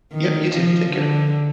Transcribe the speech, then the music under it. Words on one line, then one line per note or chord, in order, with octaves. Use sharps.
Yep. You too. Take care.
D#3
F3
D3